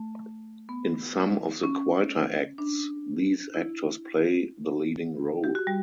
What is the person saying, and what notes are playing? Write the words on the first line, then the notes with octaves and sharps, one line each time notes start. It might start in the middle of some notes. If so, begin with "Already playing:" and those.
In some of the quieter acts these actors play the leading role.
Already playing: A3
B3
C#4
D4
E4
G4
F#4
G3